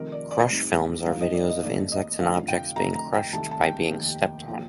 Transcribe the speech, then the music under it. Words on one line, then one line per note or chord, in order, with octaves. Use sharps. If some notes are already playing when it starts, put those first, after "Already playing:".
Crush films are videos of insects and objects being crushed by being stepped on.
Already playing: F1 F2 D#3 A#4
D5
D5
A2 G3 C4 D#4
G2 F3 A#3 D#4 F5
D#5
D5
D#5
D#2 D#3 A3 C4 D5
D#5
F1 F2 D3 F3 A3 F5
G5
F1 F2 D3 A3 A#5
A#5
G5
C2 C3 D#3 A3 A5
A5
G5
F1 D#2 D#3
A#2 F3